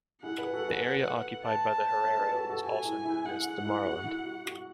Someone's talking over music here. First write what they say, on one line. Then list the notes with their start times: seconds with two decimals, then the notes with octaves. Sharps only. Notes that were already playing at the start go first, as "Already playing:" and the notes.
The area occupied by the Herero was known as Damaraland.
0.23 E4 G#4 F#5
0.38 G#4 B4
0.53 F#4 A4
0.68 G#4 B4
1.44 A5
2.04 A4 C#5
2.19 G#4 B4
2.34 F#4 A4
2.49 F#4 A4
2.64 F#4 A4 G#5
2.85 E4 G#4
3.05 E4
3.25 E4 G#4 F#5
3.65 E4 G#4
3.85 F#4
4.06 E4
4.26 F#4
4.46 F#4